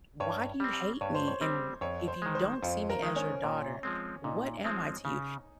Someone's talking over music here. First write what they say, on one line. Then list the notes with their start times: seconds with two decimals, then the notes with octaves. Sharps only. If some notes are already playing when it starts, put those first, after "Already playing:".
why do you hate me? And wh if you don't see me as your daughter, what am I to you?"
0.20 G2 C#5
0.60 G3 C4
1.01 G2 C#5
1.15 C5
1.28 C#5
1.41 G3 C4
1.81 F2 C#5
2.08 C5
2.22 D#3 G#3
2.35 C5
2.63 F2 F4
2.90 A#4
3.03 D#3 G#3
3.16 C#4
3.44 A#2
3.83 F3 G#3 C4
4.24 A#2 D#4
4.64 F3 G#3 C4
5.05 C#3